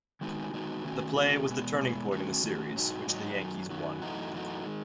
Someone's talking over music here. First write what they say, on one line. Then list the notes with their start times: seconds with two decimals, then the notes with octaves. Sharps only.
The play was the turning point in the series, which the Yankees won.
0.21 D#3 G#3 B3 D#4 F#4
0.53 D#3 G#3 B3 D#4 F#4
0.85 D#3 A3 C#4 F#4
1.16 D#3 A3 C#4 F#4
1.48 B2 G#3 B3
1.81 B2 G#3 B3
2.12 D#3 A3 C#4 F#4
2.43 D#3 A3 C#4 F#4
2.75 G#2 F#3 B3 D#4 F#4
3.07 G#2 F#3 B3 D#4 F#4
3.39 F#2 D#3 F#3
3.70 F#2 D#3 F#3
4.02 F#2 E3 A3 D#4 F#4
4.34 F#2 E3 A3 D#4 F#4
4.66 D#3 G#3